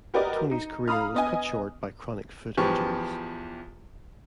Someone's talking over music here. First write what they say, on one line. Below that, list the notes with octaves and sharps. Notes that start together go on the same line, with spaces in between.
Tony's career was cut short by chronic foot injuries.
F#4 G4 A#4 B4 D5 D#5
D#4
F5 A#5 B5 D#6 F6
B3 D#5 G#5
E2 F3 G4 B4 C#6